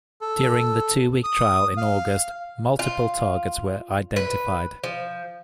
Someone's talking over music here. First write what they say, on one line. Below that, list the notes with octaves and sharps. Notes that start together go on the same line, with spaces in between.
During the two-week trial in August, multiple targets were identified.
A4
D#6
F5
F4
B4
F3